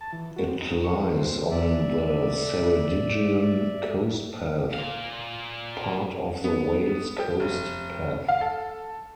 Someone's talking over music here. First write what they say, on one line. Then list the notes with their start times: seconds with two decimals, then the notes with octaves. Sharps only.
It lies on the Ceredigion Coast Path, part of the Wales Coast Path.
0.01 A5
0.12 E3
0.36 F#4
0.48 C4
0.61 D#4
0.84 C#6
0.98 E4
1.17 C5
1.50 D5 E5
4.74 A#2 F5
6.44 B3
7.20 G4
7.40 F1
8.29 F5
8.41 A4